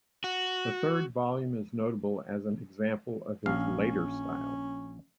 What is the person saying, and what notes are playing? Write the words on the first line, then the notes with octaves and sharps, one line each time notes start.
The third volume is notable as an example of his later style.
F#4
A#1 C#4 F5